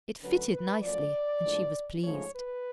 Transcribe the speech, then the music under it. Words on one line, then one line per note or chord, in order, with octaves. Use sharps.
It fitted nicely, and she was pleased.
D2 D3 F#3 C#4 B4
B4
F#2 F3 A3 D5
A2 F3 G#3 D4
G#2 F3 A3 C#4 C#5
B4